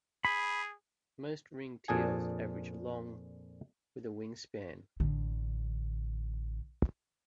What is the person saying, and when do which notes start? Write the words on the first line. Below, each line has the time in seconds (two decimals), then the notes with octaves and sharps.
Most ringed teals average long, with a wingspan.
0.25 G#4 B5
1.88 F2 A#2 D4 G#4 G#5
5.00 A1 D3